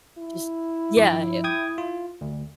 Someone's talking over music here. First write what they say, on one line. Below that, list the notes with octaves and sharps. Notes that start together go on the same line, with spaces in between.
Just Yeah, i
E4
G2 F3 D6
G5 D#6 G#6
F4
D2